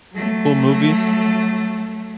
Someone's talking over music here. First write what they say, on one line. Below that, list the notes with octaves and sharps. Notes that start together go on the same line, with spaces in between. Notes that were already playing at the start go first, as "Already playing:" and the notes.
Cool movies?
F#3 A3